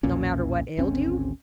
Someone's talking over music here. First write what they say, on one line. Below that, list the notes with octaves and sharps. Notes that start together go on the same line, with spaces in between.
"No matter what ailed you?"
B1 E2 A#2 C#4
G#1 D2 C4 C#4